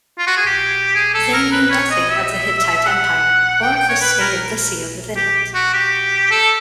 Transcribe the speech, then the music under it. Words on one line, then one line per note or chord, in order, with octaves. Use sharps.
They knew nothing of the Hittite Empire or the state of Lycia within it.
F4
F#4
G#4
G4
G#4
A4
A#4
B4
C#5
D#5
E5
F#5
G5
G5
C#5
B4
A#4
G4
F#4
G4
A4